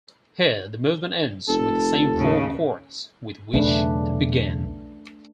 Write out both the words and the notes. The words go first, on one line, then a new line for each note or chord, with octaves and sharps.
Here, the movement ends with the same four chords with which it began.
F1 A4
D#2 A2 C#3
B1 E2 C#3 A3 D4 B4